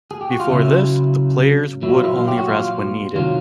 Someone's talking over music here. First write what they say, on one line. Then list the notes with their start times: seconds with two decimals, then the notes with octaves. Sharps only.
Before this, the players would only rest when needed.
0.11 G#4
0.21 G4
0.31 F#4
0.40 F4
0.49 C#3 F#3 E4
1.82 A#2 F#3 E4
1.93 F4
2.04 E4
2.17 F4
2.28 G4
2.38 F#4
2.49 F4
3.15 C3 D#3 F#3 F4